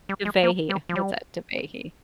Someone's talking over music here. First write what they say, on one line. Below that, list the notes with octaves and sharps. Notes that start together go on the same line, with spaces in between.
Dhivehi, that's it, Dhivehi.
G3
G#3
A#3
G3
F3
G3